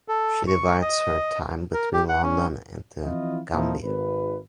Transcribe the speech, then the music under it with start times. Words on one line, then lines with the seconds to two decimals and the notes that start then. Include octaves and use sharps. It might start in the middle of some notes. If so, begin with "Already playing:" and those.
She divides her time between London and The Gambia.
0.08 A4
0.47 C#6
0.82 D#5
1.74 A#4
1.94 G4
2.09 F#5
2.23 C#4
3.04 E3 F3 C4 E4 F4 D#5
3.52 F2 A#2 E3 F3 D#4 E4
3.84 G#1 B4